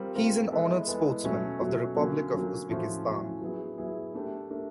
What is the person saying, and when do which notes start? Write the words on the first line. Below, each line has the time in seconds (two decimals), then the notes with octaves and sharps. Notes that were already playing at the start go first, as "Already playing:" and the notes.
He is an Honored Sportsman of the Republic of Uzbekistan.
Already playing: G3 C4 F4 A#4
0.15 G3 C4 F4 A#4
0.52 E3 G#3 B3 E4 A4
0.87 E3 G#3 B3 E4 A4
1.23 B2 F#3 A3 C#4
1.60 B2 F#3 A3 C#4
1.96 D3 F#3 A#3 C#4
2.33 D3 F#3 A#3 C#4
2.69 A2 F3 A3 C#4 F#4
3.05 A2 F3 A3 C#4 F#4
3.41 F#3 B3 E4 G#4
3.78 F#3 B3 E4 G#4
4.14 A3 D4 G4 A#4
4.50 A3 D4 G4 A#4